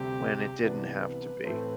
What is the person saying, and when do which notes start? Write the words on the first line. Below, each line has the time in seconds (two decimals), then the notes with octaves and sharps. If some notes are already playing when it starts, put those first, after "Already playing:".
when it didn't have to be.
Already playing: D2 C3 G3 C4 G4
0.62 C2 C3 E3 B3 D4 B4
1.44 A2 E3 A3 C4